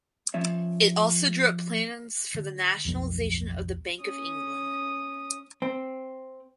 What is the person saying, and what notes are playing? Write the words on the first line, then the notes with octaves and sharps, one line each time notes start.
It also drew up plans for the nationalisation of the Bank of England.
F3 C#4 E5
D3
D1 B1 F2 B3
C#4 D#6
C4